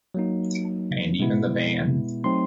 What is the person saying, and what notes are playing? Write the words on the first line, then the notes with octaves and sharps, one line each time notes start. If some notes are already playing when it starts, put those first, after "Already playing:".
And even the ban.
F#3 A#3 D#4
B2 G#3 B3 E4
F#3 A3 C4 D#4 C6